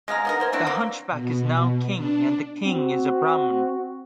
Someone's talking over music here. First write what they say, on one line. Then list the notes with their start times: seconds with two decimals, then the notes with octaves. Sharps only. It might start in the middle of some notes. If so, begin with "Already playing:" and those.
The hunchback is now king and the king is a Brahman.
0.08 G#3 G#4 F5 A#5
0.25 B3 D#4 A#4
0.40 A#3 C5 G#5
0.52 C4 D4 E4 F#4
0.66 E3 A#3 C4
1.10 B2
1.95 D4
2.65 C4 F#4